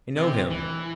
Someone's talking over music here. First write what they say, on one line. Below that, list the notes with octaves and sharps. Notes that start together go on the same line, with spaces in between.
I know him.
C3
E3